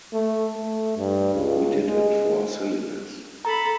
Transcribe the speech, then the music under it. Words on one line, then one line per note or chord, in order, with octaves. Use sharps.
We did it for silliness.
A3
A3
G2
C#2
G#3
A4 A#5 B5